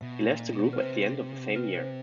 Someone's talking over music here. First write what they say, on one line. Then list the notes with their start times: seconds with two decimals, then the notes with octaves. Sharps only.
He left the group at the end of the same year.
0.01 B2 E5
0.21 E5
0.27 A#2
0.40 D#5
0.52 B2
0.59 C#5
0.73 B4
0.78 C3 C5
1.56 B4
1.75 C5